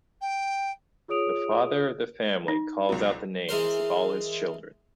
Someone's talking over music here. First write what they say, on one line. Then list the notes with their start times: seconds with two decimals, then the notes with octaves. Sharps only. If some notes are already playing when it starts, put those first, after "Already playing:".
The father of the family calls out the names of all his children.
0.21 G5
1.08 F4 G#4 C#5 D#6 D7 F7
2.48 D#4
2.89 C#2 B2 F#3
3.49 E3 G#3 A#4 C5